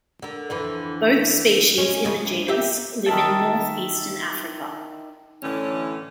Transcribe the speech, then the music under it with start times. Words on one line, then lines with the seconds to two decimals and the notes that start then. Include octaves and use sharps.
Both species in the genus live in North-eastern Africa.
0.22 D3 A#4
0.50 F2 D3 E3
1.78 G#3 C#4
2.05 C#3 F3 G#3
2.25 D2
2.48 G4 A#4 E5
3.06 D#3 E5 A5
5.43 A2 D3 E3 C#4